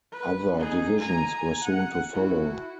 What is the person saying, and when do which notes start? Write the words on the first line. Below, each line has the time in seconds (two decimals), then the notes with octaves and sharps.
Other divisions were soon to follow.
0.12 B4
0.56 D#4 G#4
0.97 G#5 A#5
1.64 F#5
2.13 E4 F#4